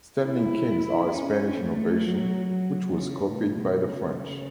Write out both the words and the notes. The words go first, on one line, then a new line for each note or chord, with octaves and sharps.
Standing kings are a Spanish innovation which was copied by the French.
E4
C#4
A3
F#3
F#3
C#3
A2
B2
C#3